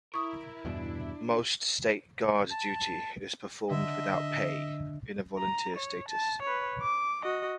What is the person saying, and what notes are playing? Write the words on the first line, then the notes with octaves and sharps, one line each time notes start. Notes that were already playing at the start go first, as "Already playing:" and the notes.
Most State Guard duty is performed without pay, in a volunteer status.
E4 A#4 C#6 D#6
E2 G2 B2 D4
A5
D3 D#5 E5
A#5
C#5
A5
B4 C#5
D6
F#4 D#5